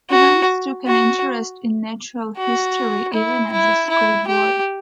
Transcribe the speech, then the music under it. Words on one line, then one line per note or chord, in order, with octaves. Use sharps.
Stephens took an interest in natural history even as a schoolboy.
F#4
F#4
F#4
E4
E4
E4
G4